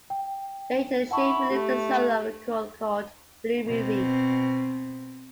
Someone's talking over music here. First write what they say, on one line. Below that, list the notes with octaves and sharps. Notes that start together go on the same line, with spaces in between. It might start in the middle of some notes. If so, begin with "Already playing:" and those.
Later Shane released a solo record called "Blue Movie".
G5
E4 F#5 A5 C#6
A3 G4
B2 C4